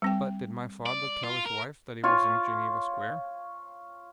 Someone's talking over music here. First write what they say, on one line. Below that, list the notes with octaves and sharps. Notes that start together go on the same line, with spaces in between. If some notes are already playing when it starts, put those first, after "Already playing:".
"But did my father tell his wife that he was in Geneva Square?"
G3 C4 G5
D5
F4
A#4
F4 C#5 F5